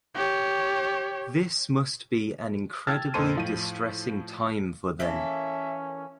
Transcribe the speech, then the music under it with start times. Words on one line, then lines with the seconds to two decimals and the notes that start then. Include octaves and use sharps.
This must be an incredibly distressing time for them.
0.15 G4 C#5
2.87 G5 A5 E6 F6 G#6 A6
3.14 F2 A#2 A4 C5 C6 D#7
3.35 A2 F3 D#7
5.00 E3 A#3 C#4 A4 E5